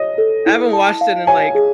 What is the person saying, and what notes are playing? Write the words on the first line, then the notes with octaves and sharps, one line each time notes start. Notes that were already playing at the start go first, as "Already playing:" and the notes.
I haven't watched it in, like,
Already playing: C#5 D#5
A4
E4
A5
F5
C#5 G#5
G#4